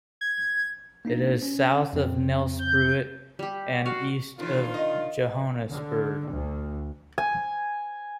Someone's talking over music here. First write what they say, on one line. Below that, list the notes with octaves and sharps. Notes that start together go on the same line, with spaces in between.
It is south of Nelspruit and east of Johannesburg.
G#6
A#3 D4 D#4
C#4
F2 C#3 C4
G6
G3 G4
F#4 F5
C3 D#3 E3 D4 F4
D#5
D3
D2
G#5